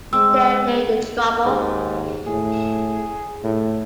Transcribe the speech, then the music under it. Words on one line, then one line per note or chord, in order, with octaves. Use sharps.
There lay the trouble.
G#3 C4 E6
D#2 G#2
A2 G#4
A2